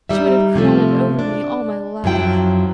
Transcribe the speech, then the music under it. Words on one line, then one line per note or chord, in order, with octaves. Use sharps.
She would have crowed over me all my life.
G3 D#4 E5
C3 F3 A3
D4
F#2 F3 F#3 E4 G5